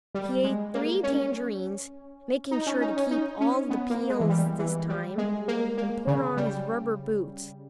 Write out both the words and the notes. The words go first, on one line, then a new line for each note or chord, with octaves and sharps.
He ate three tangerines, making sure to keep all the peels this time, and put on his rubber boots.
G3
G#3
A#3
C#4
D#4
C#4
D#4
C#4
D#4
C#4
B3
A#3
G#3
E3
G3
E3
G3
G#3
A#3
A#3
C#3
G3